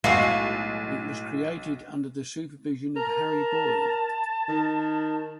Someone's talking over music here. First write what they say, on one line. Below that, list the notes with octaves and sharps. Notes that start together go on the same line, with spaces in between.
It was created under the supervision of Harry Boyle.
B1 A2 G#3 F#4 F5 C7
A#4 A5
D#3